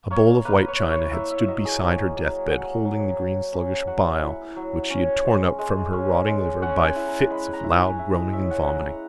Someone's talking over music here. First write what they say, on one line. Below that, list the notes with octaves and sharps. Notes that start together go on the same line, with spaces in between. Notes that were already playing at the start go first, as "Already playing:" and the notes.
A bowl of white china had stood beside her deathbed holding the green sluggish bile which she had torn up from her rotting liver by fits of loud groaning vomiting.
A#3 C#5
A#3 B4
C#5
E4
C#5
A#3 E5
E5
F#3 D#5
G#4
A#3
F#3
F#3 F#5
F#3
F#3
C#4
F#3 F#5
E4
F#3
C#4
G#3
G#3
C#4
G#3
C#4 F#5
G#5
E4
A#5
G#3 B5
A#5
E4
G#5
E4
D#5
C#4 E5
F#5
E4 A#5